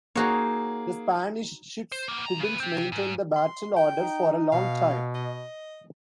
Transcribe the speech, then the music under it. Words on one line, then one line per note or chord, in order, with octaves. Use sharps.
The Spanish ships couldn't maintain the battle order for a long time.
A#3 D#4 F#4 G#4 C#5
C5
A#3 B3
D#2 A#5
C#3 B4
C4 G4
G#2
C6
G5
D#4
B2 F5
D#5